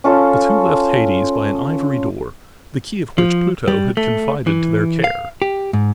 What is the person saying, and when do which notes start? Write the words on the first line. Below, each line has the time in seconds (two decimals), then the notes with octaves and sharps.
The two left Hades by an ivory door, the key of which Pluto had confided to their care.
0.04 C#4 F4 A4
3.18 F3
3.68 G3
3.97 A3
4.47 E3
5.04 F5
5.42 G4
5.73 G#2